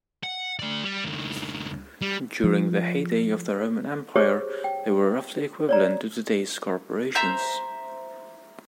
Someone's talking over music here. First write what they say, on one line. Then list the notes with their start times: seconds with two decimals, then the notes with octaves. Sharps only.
During the heyday of the Roman Empire, they were roughly equivalent to today's corporations.
0.23 F#5
0.59 A3 D5
0.85 G3
1.05 C#2 D#3
2.01 G3
2.44 F3
4.16 G4 G#4 C5 C#5
4.64 G5
5.69 C#5 D5 A#5
7.15 C5 E5 A#5 G6